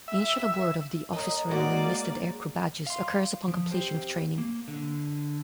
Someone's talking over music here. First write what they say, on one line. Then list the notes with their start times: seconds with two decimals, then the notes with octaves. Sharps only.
Initial award of the Officer and Enlisted Aircrew Badges occurs upon completion of training.
0.08 E5
1.13 A#3 A#4 C#5 D#5 A#5
1.48 G#3 A#3 F#4 D5
2.86 F5 C6
3.48 F3
3.71 G4 C5
4.38 A#3
4.68 D3